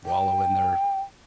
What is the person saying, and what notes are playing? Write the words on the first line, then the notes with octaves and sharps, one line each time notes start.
wallow in their
G5